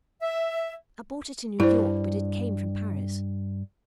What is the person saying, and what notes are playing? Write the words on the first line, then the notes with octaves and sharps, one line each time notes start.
I bought it in New York, but it came from Paris.
E5
G2 E4 C5